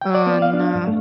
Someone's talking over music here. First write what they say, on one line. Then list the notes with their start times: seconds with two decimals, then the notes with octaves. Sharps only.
Oh, no.
0.01 G5
0.15 D5
0.27 B3
0.42 F5
0.53 D4
0.75 G2
0.87 A3